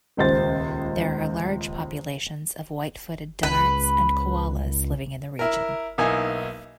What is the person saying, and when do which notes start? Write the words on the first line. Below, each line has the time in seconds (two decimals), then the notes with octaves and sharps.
There are large populations of white-footed dunnarts and koalas living in the region.
0.17 D#1 C#2 C5 A6
3.43 C#2 B4
5.39 E4 A#4
5.98 B1 A#3 D#4 E4 G#5